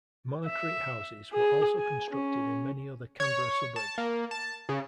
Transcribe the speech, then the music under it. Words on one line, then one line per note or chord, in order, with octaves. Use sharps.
Monocrete houses were also constructed in many other Canberra suburbs.
E5
G#4
G#5
C#4
C#5
A5
A#3
A5
C#3